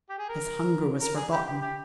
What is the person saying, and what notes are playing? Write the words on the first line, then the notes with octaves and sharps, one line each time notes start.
His hunger was forgotten.
G4
G#4
A#4
A#4
G#4
G4
G4
G4